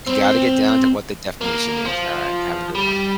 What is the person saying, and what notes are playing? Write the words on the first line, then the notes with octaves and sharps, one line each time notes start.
You gotta get down to what the definition is, aright, have a good one.
C4
A#3
F3
G3